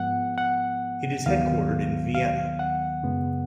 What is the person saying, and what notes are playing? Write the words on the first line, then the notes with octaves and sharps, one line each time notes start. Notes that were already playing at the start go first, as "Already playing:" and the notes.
It is headquartered in Vienna.
Already playing: G#2 F3 G#3 B3 F#5
F#5
D#2 D#3 F#3 B3 F5
F5
F#5
F#2 C#3 G#3 B3